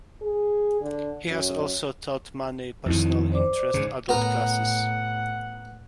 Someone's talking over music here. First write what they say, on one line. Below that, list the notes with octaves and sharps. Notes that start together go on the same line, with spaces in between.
He has also taught many personal interest adult classes.
G#4
D3
F#2
F2 D#3 E4
C5 D5 D6
G#2 C#3
A2 B3 A#4 F#5